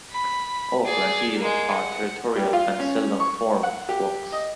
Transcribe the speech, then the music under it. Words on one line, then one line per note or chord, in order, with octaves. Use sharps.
Auckland teal are territorial and seldom form flocks.
B5
G#4 D5
G#3 A#3
F#5
G3
F4
C#4
C#6
F#5
G4
D#5